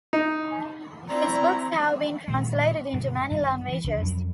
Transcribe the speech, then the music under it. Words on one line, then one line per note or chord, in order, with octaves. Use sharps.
His books have been translated into many languages.
D#4
C4 E4 D5 A#5
A#2 D#3 G#3
G2 B2 D3
G2 D#3
D3 E3
C2 D4
F2 F#3